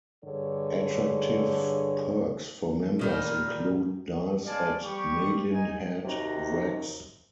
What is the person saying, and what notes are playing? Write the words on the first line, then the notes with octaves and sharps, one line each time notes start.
Attractive perks for members include dives at Malin Head Wrecks.
G2 D3 G#4 C#5
A#2 D#3 G3
G#3 C#4 D5 F5 G#5 A5
G3 G4 C#6
D#4 G#5
D#2 C3 D#4 F#4